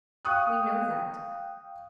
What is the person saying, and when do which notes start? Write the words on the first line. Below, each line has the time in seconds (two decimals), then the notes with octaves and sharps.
We know that.
0.25 F5 G5 C#6 D#6 F#6